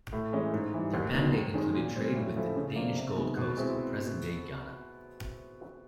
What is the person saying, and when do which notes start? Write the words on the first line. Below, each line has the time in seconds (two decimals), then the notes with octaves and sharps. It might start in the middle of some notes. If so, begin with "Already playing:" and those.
Their mandate included trade with the Danish Gold Coast in present-day Ghana.
0.13 A2
0.32 E3 G#3 C#4
0.53 G#2
0.73 E3 G3
0.94 D#2
1.14 D#3 F#3 B3
1.34 G#2
1.54 D#3 G#3 C#4
1.74 A#2
1.95 G3 C4
2.15 A2
2.36 F3 A3 C#4 E4
2.56 C#3
2.76 F3 A#3 D4
2.96 C3
3.16 D#3 G#3 B3
3.37 B2
3.57 G#3 C4 E4